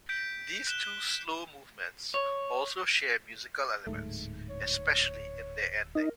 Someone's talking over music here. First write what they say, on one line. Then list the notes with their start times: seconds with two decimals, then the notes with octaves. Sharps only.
These two slow movements also share musical elements, especially in their ending.
0.09 G6 B6 D7
0.67 F#6 G6 E7 G7
2.14 C#5
3.87 D1 G#2 A3
4.50 C#5
5.95 D#4 A#4